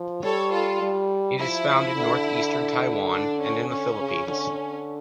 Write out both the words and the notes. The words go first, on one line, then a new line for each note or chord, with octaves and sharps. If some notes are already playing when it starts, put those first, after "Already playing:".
It is found in north-eastern Taiwan, and in the Philippines.
Already playing: F3
G3 A4 C#5
F4 A4
G3
F3 E4
D3
D4
C#4
D3 C#4
C#3
D3